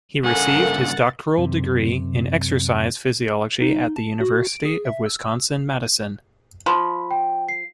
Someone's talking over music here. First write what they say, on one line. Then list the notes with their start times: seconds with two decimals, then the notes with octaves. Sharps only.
He received his doctoral degree in exercise physiology at the University of Wisconsin-Madison.
0.24 G2 C#3 A4 A#4 F5 F#5 G#5
0.69 A6
1.38 F#2 C3
3.62 D#4
3.96 A5
4.21 F#4
4.47 D7
4.65 G#4
4.85 E5
5.06 E6
6.66 F3 B5
7.11 G5
7.49 C7